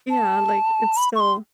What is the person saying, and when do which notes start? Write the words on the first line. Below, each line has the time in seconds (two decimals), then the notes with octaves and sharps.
Yeah. Like, it's still
0.10 A5
0.97 B5
1.15 C#6
1.20 C6